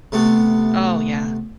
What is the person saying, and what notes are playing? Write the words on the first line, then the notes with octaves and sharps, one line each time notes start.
Oh, yeah.
C3 A3 B3